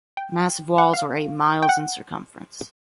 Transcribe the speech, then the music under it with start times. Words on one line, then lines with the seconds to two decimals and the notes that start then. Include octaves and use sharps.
Massive walls were eight miles in circumference.
0.17 G5
0.78 F#5
0.93 F5
1.62 G5
1.69 F#5